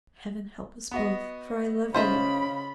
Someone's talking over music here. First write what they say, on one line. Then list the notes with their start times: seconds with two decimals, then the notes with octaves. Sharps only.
"Heaven help us both; for I love you!"
0.91 B3 F#4 D#5
1.94 C#3 F4 C5 D#5 E5 B5